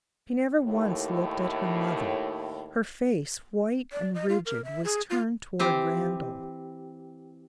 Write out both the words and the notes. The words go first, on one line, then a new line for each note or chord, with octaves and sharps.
She never once looked at her mother; her face, white and rigid, was turned toward Randal.
D#2 A2
D5
D#5
F4
A#4
E5
G#4
F4
E3 C4 G4